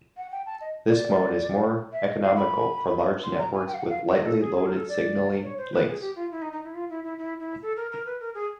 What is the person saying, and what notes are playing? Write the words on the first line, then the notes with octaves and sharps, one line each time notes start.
This mode is more economical for large networks with lightly loaded signaling links.
F#5
G5
A5
D#5
D5
E5
D#5
F5
B5
C6
A#5
G#5
G5
F5
F#5
F5
D#5
A4
G#4
G#4
A#4
A4
D5
C#5
C5
B4
G#4
G4
F4
E4
D#4
D#4
E4
F4
E4
E4
E4
E4
A4
A#4
A#4
B4
A#4
G#4